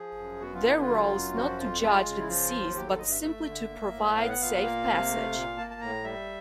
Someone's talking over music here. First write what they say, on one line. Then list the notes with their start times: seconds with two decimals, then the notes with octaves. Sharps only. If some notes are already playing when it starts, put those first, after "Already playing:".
Their role is not to judge the deceased, but simply to provide safe passage.
Already playing: F3 G#4
0.17 F#2
0.41 B3 F#4
0.54 F4
0.64 D3 E4
0.80 F4
0.88 F#3
1.11 F#2
1.34 F3 F#4
1.58 F2 F4
1.81 G#3 F4
2.05 C#3
2.18 E4
2.28 F3 F4
2.51 D#2
2.75 F#3 G4
2.87 A4
2.98 G2 D#5
3.11 E5
3.22 A3 E5
3.46 D3
3.69 A#3
3.93 A2
4.16 B3 F5
4.29 F#5
4.40 A#2 F5
4.63 A#3
4.87 C3
5.10 A3
5.34 A#2
5.57 A#3 A5
5.70 A5
5.81 A2 A#5
6.04 G3 E5